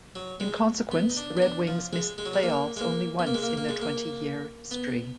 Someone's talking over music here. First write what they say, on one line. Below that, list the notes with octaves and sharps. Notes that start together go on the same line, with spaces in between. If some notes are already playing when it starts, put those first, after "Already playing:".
In consequence, the Red Wings missed the playoffs only once in their twenty-year history.
F#3
G#3
B3
D#4
D4
B3
D4
F3
G#3
G#3
F#3
G#3
A#3
G#3
A#3
B3
A#3
G#3
A#3
A#3
G#3
A#3
B3